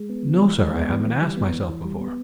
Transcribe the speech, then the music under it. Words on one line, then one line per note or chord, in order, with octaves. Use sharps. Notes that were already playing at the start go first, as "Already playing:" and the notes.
"No, sir, I haven't asked myself before."
Already playing: G#3
B3
E3
E3
G#3
B3
E3
E3
G3
B3
E3
E3
G3
B3